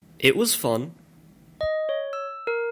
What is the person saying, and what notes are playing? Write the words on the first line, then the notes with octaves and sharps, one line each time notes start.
It was fun.
D#5
C#5
E6
A#4